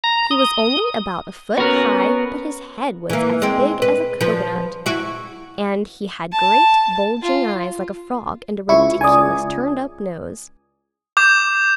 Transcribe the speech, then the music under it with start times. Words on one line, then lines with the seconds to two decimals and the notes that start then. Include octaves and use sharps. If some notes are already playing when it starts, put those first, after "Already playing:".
He was only about a foot high, but his head was as big as a cocoanut, and he had great, bulging eyes, like a frog, and a ridiculous turned-up nose.
0.04 A#5
0.31 D#6
1.58 B3 C#4 F#4 A#4
3.10 E3 A#3
3.42 G#3 C4
3.82 B4
4.21 F3 B4
4.86 E4 F#4
6.32 A5
7.22 F4
8.69 C#2 E4 C#6
9.01 C#2 E4 D5 G#5 D#6
11.17 D6 G6 E7